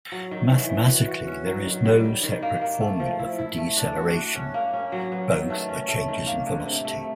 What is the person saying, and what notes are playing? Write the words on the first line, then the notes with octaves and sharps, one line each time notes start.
Mathematically, there is no separate formula for deceleration: both are changes in velocity.
F#3
D#3
E3
E3
F#4
F#4
C#4
F#3
D#3
G3
D#3
D#3
A#3
A#3
A3
F3
E4
E4
A3
D4
F#4
A3
C#4
A#3
C#4
F#3
B3
D#3
A3
C#4
A3
D#3
A#3
D3
C3
A3